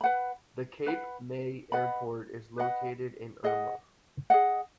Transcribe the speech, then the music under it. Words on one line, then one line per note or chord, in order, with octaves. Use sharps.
The Cape May Airport is located in Erma.
B4 F#5 B5
B4 F#5 B5
B4 D#5 F#5 B5
B4 D#5 F#5 B5
G#4 D#5 F#5
G#4 D#5 F#5